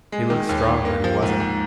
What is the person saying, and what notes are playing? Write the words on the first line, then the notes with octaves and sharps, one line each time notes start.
He looked strong, but he wasn't.
G#3
D#3
D#2
D#2
A#3
F3
G#2
G#2